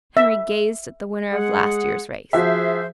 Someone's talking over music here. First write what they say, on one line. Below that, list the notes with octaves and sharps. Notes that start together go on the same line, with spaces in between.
Henry gazed at the winner of last year's race.
E5
G#3 G#4 F#5
F3 F#4 G#4 C5 E5